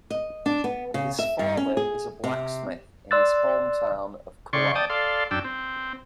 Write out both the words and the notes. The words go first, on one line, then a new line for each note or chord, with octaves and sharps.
His father is a blacksmith in his hometown of Kulai.
D#5
D4
B3
C#3
E5
G2
C#4
G#4
C3
D5 C6 E6 F#6 A6
C#3 D5 C6 C#6
D5 G5 A5 D#6
A4 D5 F5 C6
F#2 D4 G5 E6
C4